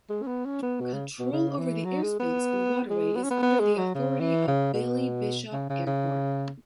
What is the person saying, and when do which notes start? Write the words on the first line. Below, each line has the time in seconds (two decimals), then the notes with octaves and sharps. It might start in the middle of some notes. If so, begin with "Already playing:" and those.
Control over the airspace and waterway is under the authority of Billy Bishop Airport.
0.10 G#3
0.22 C#4
0.27 B3
0.45 C#4
0.63 B3
0.80 B2
0.94 C#3
1.19 B2
1.32 C#3
1.58 E3
1.85 F#3
2.02 G#3
2.20 B3
2.90 G#3
3.16 B3
3.24 C#4
3.31 B3
3.43 B3
3.60 G#3
3.78 F#3
3.95 C#3
4.20 E3
4.48 C#3
4.74 B2
5.52 C#3
5.70 C#3
5.87 C#3